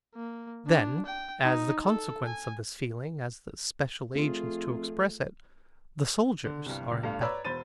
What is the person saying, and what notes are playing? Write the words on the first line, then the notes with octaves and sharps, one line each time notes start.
Then as the consequence of this feeling, as the special agents to express it, the soldiers are in battle.
A#3
D4
G5
D#4
A4
G#5
F2 A3 C4 F4 G#4
D3
C2 G2
C#2
G2 A3 F5
B4 C#5 D5 A#5 B5 E6
E1 C5 B5 A6 D#7